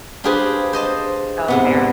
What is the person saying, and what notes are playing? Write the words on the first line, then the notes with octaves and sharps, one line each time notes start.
Oh, fair.
D4 F4 G4 G#4 B4 C5
C5 D#5 A5
G#2 C3 B3